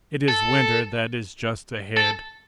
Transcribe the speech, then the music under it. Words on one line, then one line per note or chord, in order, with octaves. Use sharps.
It is winter that is just ahead.
A4
A4